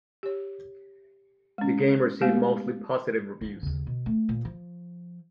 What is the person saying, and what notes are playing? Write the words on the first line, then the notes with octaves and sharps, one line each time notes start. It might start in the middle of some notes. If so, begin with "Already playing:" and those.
The game received mostly positive reviews.
G4 C#5
G#3 C#4
G#3 A3 B3 G4 F5
G#2 F3
D#2 C#3
B2
A3
A#2
F3